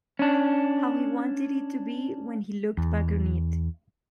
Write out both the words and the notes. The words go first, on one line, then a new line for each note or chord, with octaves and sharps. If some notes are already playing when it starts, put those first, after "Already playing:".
How he wanted it to be when he looked back on it.
C#4 D4
E2